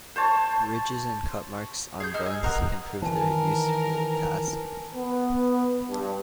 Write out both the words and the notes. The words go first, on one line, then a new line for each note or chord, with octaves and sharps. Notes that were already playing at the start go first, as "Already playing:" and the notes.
Ridges and cut marks on bones can prove their use for the task.
C5 C#5 A5
G#4 G6
D#4 G#4 E6 F6
G#5
C4 A#4 F#5 D#6
D#3 E3 A#4 G#5 A5
B3
G2